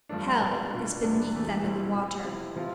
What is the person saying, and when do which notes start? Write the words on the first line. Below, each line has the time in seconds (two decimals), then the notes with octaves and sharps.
Hell is beneath them in the water!
0.09 G2 F3 A3 D4
0.41 B2 B3 D4 F4
0.71 B2 B3 D4 F4
1.01 E2 C3 G3 B3 D4
1.32 E2 C3 E3 A3
1.63 B2 G3 C4 E4
1.93 B2 G3 C4
2.24 C3 F3 C4 E4
2.56 C3 F3 C4 F4